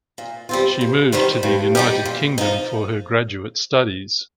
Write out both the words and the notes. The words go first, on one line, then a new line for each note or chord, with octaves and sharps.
She moved to the United Kingdom for her graduate studies.
A#2
G3 C4 F4
G2
D#3 G3 C4 D#4
G2
G3 D#4 G4
A#2
F3 D#4